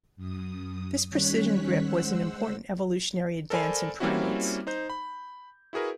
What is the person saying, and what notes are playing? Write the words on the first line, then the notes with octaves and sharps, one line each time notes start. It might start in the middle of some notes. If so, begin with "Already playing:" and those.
This precision grip was an important evolutionary advance in primates.
F#2 D#6
D#3 G3 C#4 C#5 F#6 B6
G#3 C5 F#5 E6
A4 A#4 C5 D5 G#5 B5
G3 A#3 C4 C#4 E4 F#4
D#4 C5 G6
B5
E4 F#4 G#4 A#4 B4